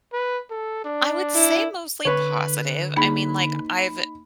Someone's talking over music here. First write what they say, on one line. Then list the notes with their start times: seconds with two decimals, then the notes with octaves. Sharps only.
I would say mostly positive. I mean, like, I've
0.13 B4
0.50 A4
0.84 D4
1.35 E4
2.05 D3 B4 C#5
2.96 A#3 D#4 G#4 B5